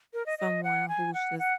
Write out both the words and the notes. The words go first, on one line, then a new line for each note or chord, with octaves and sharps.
someone who's just
A#4
D#5
D#5
F#5
G#5
F#5
F#5